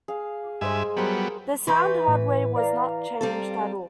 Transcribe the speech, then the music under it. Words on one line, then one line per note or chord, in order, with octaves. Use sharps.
The sound hardware was not changed at all.
G#4 F5
G2 G#3 C5 D#5 E5 G#5
F#3 G3 B3 A#4 C5
E3 B4 C6 C#6 G6
A2
D5 F5 A#5
G3 C4 A4